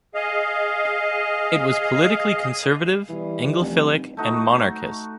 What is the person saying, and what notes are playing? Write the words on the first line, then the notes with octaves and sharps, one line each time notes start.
It was politically conservative, Anglophilic, and monarchist.
G#4 D#5 F5
B2 E3 G3
F1
A3 D#4 F#4